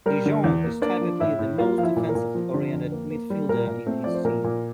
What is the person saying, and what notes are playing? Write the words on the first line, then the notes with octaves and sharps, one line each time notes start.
De Jong is typically the most defensively oriented midfielder in his team.
G3 A#4
D3
E2
A#3
A#3 D4 D5
F3
A2 E4 E5
A2
A#3 F4 F5
F3 F5
E4 E5
A#2
A#4
A#2
F3
D3
F2
A#3
A#3
G3
A#2 A#4
A#2
A3 C4 C5
F3 D5
C5
A#2 A#4
A#2